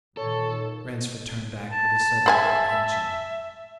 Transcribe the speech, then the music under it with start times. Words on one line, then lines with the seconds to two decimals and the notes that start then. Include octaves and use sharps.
Ransford turned back with a sudden apprehension.
0.17 A#2 D#3 A4 C#5
1.71 A5
2.26 G#3 C5 E5 G#5